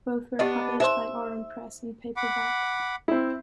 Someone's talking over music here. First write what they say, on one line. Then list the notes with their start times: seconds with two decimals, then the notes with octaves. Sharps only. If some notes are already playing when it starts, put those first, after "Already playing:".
Both were published by Aurum Press in paperback.
0.39 B3 D4 G4 D#5
0.80 D#4 C5 E5 C6
2.17 F#5 B5 D6
3.08 C4 E4